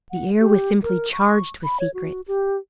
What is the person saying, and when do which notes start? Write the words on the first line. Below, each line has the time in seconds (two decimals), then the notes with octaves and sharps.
The air was simply charged with secrets.
0.11 F#5
0.40 G4
0.83 A#4
1.13 C#6
1.64 B5
1.80 C#5
1.94 F#4
2.28 G4